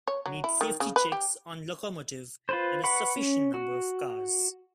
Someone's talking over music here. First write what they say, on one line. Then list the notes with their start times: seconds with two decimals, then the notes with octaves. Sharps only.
Need safety checks on locomotive and a sufficient number of cars.
0.08 C#5
0.26 F#3
0.44 E4
0.61 D#3
0.80 C#3
0.96 B4
1.12 G4
2.49 F4 B4 C5
2.84 B4 F#5 B5 C#6
3.16 C#4
3.54 F#4